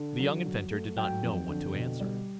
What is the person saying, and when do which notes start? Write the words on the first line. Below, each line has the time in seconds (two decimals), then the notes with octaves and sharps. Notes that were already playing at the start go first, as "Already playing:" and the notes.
The young inventor did not know what to answer.
Already playing: D3
0.19 F#3
0.45 F#3
0.70 A3
0.97 F#3 G5
1.23 F2
1.49 D3
1.75 B2
2.00 G3